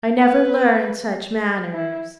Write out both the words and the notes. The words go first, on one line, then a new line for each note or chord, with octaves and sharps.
I never learned such manners.
B4
E4